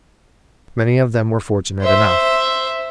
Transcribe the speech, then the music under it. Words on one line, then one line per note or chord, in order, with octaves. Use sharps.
Many of them were fortunate enough.
C5 E5